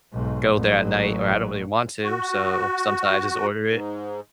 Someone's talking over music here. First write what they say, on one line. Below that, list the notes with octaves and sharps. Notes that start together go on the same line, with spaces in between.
go there at night or I don't really want to, so, sometimes I just order it
B1 G#2
A1 F#3
F#4
G#2